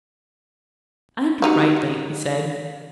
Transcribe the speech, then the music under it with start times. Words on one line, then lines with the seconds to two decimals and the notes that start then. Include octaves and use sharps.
"And rightly," he said.
1.42 G3 D#4 F#4